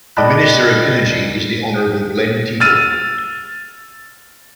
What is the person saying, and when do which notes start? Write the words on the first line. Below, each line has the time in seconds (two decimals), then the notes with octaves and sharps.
The Minister of Energy is the Honourable Glenn Thibeault.
0.17 D5 D#5 G5 A5 B5 F#6
2.60 E6 F6 A6 D#7